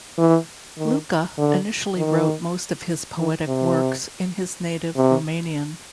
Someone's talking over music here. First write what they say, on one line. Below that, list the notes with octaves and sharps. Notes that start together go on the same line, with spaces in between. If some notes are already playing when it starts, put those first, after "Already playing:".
Luca initially wrote most of his poetic works in his native Romanian.
E3
D#3
D3
D#3
E3
C3
C3